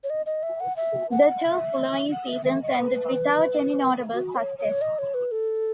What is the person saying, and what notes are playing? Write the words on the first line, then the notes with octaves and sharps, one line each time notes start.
The two following seasons ended without any notable success.
C#5
D#5
D#5
E5
F#5
E5
F#5
E5
F#5
E5
E5
D#5
B4
F#4
C#5
C#5
D#5
C#5
B4
A4